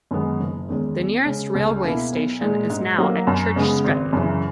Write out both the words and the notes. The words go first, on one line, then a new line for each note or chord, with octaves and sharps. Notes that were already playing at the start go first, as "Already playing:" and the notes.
The nearest railway station is now at Church Stretton.
F#2 D#3 G#3 B3
F#1
E2 D#3 G#3 C#4
E2
C#3 G#3 C#4
C#2
B2 A#3 E4
B1
A#2 G#3
G#2
F#3 A#3
F#2
C#3 G#3 B3
G#1
F#2 C#3 E3